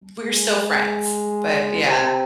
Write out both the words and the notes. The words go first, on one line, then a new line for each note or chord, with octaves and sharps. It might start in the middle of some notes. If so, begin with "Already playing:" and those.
we're still friends, but yeah.
G#3
C3